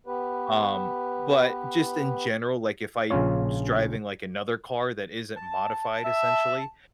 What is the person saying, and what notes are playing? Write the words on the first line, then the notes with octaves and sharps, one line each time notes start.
um, but just in general, like if I just driving, like, another car that isn't modified, essentially,
B3 G4 B4
A#1 C#3 C#4 F4 C#5
A5
E5